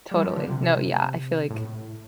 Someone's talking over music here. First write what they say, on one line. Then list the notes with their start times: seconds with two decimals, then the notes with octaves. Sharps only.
Totally. No, yeah, I feel like
0.11 G3
0.23 F3
0.37 D3
0.50 C3
1.50 A2